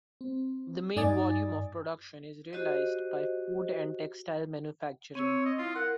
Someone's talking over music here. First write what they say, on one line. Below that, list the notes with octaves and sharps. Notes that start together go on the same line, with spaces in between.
The main volume of production is realized by food and textile manufacturing.
C4
G2 D#4 D5 G#5 D#6 A6
F#4 G4 C5 D#5
C4 C#5 E6
D#5
E4 F4
A#4 F#5